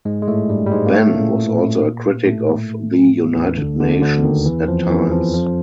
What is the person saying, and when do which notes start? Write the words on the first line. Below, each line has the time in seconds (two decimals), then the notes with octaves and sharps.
Benn was also a critic of the United Nations at times.
0.05 G#2 G#3
0.22 G#3
0.28 A2 A3
0.49 G2 G3
0.66 G3
0.72 G#2 G#3
0.86 A#3
0.93 A2 A3
1.15 A#2 A#3
2.26 A2 A3
3.36 E2 E3
3.57 D2 D3
3.80 D2 D3
4.02 D2 D3
4.23 D#2 D#3
4.46 E2 E3
4.68 F2 F3
4.90 E2 E3
5.12 F2 F3
5.33 F2 F3